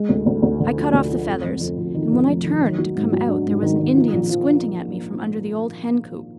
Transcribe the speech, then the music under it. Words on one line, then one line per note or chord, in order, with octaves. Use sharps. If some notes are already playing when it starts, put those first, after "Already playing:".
I cut off the feathers, and when I turned to come out there was an Indian squinting at me from under the old hen-coop.
Already playing: G#3
D2
D2
D2
D3
F3
D2
F3
F2
F2
F2
F2
D#3
F2
F1
D#3
D#3
F#3
G#2
F#3
D4
G#2
D#3
D#3
F3
A#1
F3